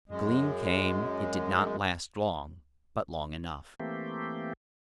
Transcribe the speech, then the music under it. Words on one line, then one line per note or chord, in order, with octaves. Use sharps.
The gleam came; it did not last long, but long enough.
F#2 G#3
E3 A3 A#3 C4 G4